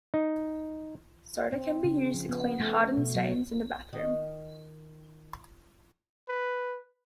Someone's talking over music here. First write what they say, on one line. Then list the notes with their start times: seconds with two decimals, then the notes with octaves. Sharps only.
Soda can be used to clean hardened stains in the bathroom.
0.14 D#4
1.53 C4
1.84 C#3
2.14 F3
2.29 B3
2.60 A3
2.97 B2
3.15 F#3
3.93 D#3 F#4 D#5
6.29 B4